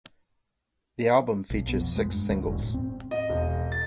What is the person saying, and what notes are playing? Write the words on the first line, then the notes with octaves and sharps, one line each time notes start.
The album features six singles.
B1
B2
F2
G#3
G2
D2
E1
A2
C4
D#5
E1
A6